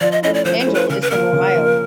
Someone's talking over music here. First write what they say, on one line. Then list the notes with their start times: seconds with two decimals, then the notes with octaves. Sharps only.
Engel is from Ohio.
0.01 F3 D5
0.12 D#5
0.22 A3 C#4 E4 D#5
0.34 D5
0.45 F3 C5
0.60 C5
0.67 A3 C#4 E4
0.74 B4
0.89 C#3 A#4
1.01 B4
1.11 F3 A#3 A#4
1.33 C#3
1.55 F3 A#3